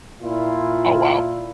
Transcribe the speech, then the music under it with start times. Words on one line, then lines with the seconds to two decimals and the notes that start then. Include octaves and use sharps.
Oh, wow.
0.22 A#2 E4 F4